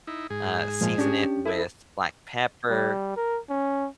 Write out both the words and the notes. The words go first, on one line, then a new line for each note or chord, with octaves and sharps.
Uh, season it with black pepper.
D#4 E4
G#2 G#4
A#2 F3 G#3
C#4 D4 G4
E4 A4
G3
A#4
C#4